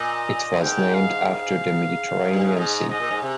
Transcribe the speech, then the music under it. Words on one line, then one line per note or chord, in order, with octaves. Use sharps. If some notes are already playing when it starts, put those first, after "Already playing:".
It was named after the Mediterranean Sea.
Already playing: A#2 D#5
G#2 G5
F5
F5
G#2
G2
G#2
G#2 D#5
G#2 D#5
A#2
G#2
C3